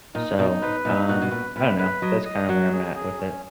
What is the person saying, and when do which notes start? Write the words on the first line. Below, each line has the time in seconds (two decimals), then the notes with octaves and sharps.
So, um, I don't know, that's kinda where I'm at with it.
0.15 A#2 D#4
0.38 B2 D#4
0.62 G#2 B4
0.85 A#2 D#4
1.08 A#2 F#4
1.22 B2
1.31 A#2 B4
1.56 A#2 B4
1.79 G#3 B4
2.02 F#3 D#5
2.26 D#5
2.49 F#3 F#5
2.72 G#4
2.96 G#4
3.18 C#4